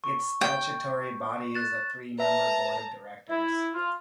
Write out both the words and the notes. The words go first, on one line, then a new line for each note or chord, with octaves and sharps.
Its statutory body is a three-member Board of directors.
C#6
G5
F#6 A6 E7
B4 E5 A5 A#5
E4
F4